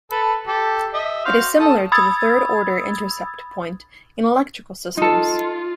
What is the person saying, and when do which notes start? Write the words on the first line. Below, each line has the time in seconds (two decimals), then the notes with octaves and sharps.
It is similar to the third-order intercept point in electrical systems.
0.11 A4 B4
0.47 G4 A4
0.94 D#5 E5
1.25 F#4 C5 F5
1.59 A4 A5 D#6
1.92 B5 D#6 E6 G#6 A6
4.97 D#4 F4 A4